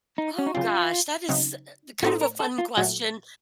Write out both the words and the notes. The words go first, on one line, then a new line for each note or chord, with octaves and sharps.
Oh gosh. That is, uh, kind of a fun question.
D#4
C#4
D#4
C#3 F#3 C4 F4
C#3 F#3 C4 D#4
A2 A3 C4 D#4 F#4
A#4
A4
F4
A#2 F#3 A3 F#4